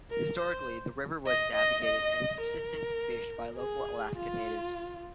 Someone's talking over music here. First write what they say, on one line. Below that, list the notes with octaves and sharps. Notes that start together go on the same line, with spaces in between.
Historically, the river was navigated and subsistence fished by local Alaska Natives.
A#4
C5
D#5
D#5
D#5
A#4
G#4
F4